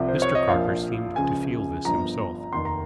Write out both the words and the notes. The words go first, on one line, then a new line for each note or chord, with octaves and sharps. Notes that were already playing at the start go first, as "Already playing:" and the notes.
Mr. Crocker seemed to feel this himself.
Already playing: C2 C3 F3
C5
C#5
D#5
A#1 A#2 F3 F5
C#2 C#3 F3 G#5
G1 G2 F3 A#5
F1 D#2 D#3 C6
A#5